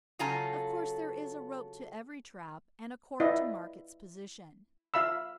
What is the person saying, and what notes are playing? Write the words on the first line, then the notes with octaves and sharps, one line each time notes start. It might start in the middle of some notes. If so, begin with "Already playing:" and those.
Of course, there is a rope to every trap, and a cork to mark its position.
C#3 F#3 F4 A4 G#5 A#5
E4 F4 B4 D5 D#5
F4 E5 F5 B5 E6